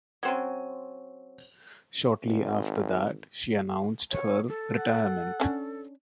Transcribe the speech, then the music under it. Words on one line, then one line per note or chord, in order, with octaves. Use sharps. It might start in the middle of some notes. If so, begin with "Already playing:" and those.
Shortly after that she announced her retirement.
F#3 C4 C#4
G#1
C#5
A4
F#5
C#4 D4